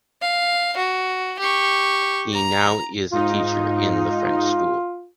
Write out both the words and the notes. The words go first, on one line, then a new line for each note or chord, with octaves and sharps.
He now is a teacher in the French School.
F5
F#4
G4 C#6
A#5
G#2 D#4 F4